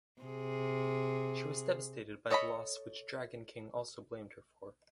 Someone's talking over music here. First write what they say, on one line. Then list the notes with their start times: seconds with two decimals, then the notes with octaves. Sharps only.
She was devastated by the loss which Dragon King also blamed her for.
0.22 C3 G#4
2.30 A4 C#5 D#5 G#5 B5